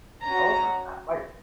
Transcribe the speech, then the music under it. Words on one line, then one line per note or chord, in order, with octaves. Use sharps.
I wasn't uh, like
C#4 F#4 A#5